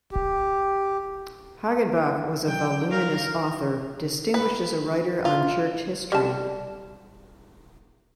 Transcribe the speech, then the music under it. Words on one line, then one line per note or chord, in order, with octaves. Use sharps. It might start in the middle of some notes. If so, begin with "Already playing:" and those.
Hagenbach was a voluminous author, distinguished as a writer on church history.
G4
F#3 G5
A#4 F5
B4
F4
G3 A5